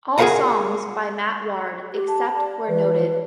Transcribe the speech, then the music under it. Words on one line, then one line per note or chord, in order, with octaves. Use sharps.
All songs by Matt Ward except where noted.
G#4 A#4 B4 F5 F#5 A#5
G4
A5
D5
E3 B4